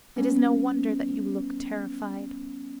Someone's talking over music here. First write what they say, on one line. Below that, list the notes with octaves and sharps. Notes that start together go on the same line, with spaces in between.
It is no wonder that you look terrified.
G3 B3 C#4